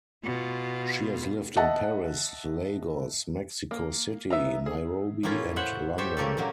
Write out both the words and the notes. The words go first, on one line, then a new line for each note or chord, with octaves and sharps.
She has lived in Paris, Lagos, Mexico City, Nairobi and London.
B2 F4
D#5 E5 F#5 A5
A#3
B3 E5 F5 A#5
G#4
A2 A#3 C#4 E4 F4
C5 C#5 E5 F#5
G4 A4 C5 C#5 E5
A#2 C#3 A3 A#3 G4 A4
A#2 C#3 F#3 A#3